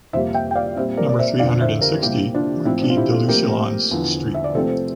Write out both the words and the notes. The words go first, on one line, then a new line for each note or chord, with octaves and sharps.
Number three hundred and sixty, Maquis de Lucelans street.
F2 C3 G3 A#3 C5 E5
E5 G5
G5
D5 F5
A#2 G3 C4 C5 E5
A#4 D5
D5
C5 E5
F2 D3 F3 D5 F5
C5 E5
G4 A#4
C3 G3 A#3 E4 G4
D4 F4
A2 F3 C4 E4
D4
F4
E4 G4
F4 A4
A#2 F3 A3 C4 G4 A#4
E2 D3 F3
E5
D5
C3 F3 A3 C4 A4 C5